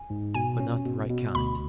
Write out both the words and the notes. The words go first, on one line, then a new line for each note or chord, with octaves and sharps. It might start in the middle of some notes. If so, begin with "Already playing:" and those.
But not the right kind.
Already playing: G#5
G#2
B2 G#5
C#4
B2
B2
D2 B5